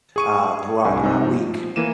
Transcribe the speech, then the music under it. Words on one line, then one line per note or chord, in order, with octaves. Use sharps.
uh, throughout my week.
G#4 C#6 D#7
C2 G2 G#5
C3 D#4
F3
E3 A#3 D#7 E7